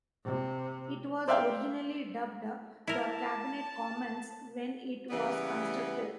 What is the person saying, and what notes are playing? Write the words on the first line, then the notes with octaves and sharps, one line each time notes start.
It was originally dubbed the "Cabinet Commons" when it was constructed.
C3
C5 D5 E5 F5 G5
E4 A#4 A5
C#3 E3 G3 B3